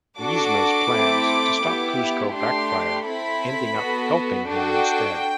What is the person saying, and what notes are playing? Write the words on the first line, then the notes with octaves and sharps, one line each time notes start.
Yzma's plans to stop Kuzco backfire, ending up helping him instead.
D4 F#4 A4 D6
A3 C4 E4 A4
B3 E4 G4
A3 D4 G4 C6
C4 E4 A4 B5
B3 F#4 A4
D4 F#4 A4 G5